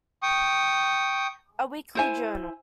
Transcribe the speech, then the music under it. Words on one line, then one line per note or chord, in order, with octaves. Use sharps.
A Weekly Journal.
G5 C#6 D#6
E4 C5 G#5